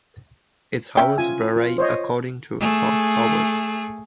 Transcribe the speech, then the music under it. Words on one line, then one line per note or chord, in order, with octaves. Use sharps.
Its hours vary according to park hours.
C#4 E5 G5
F4 G#5
F4
C5 C#5 D#5
A3 G#4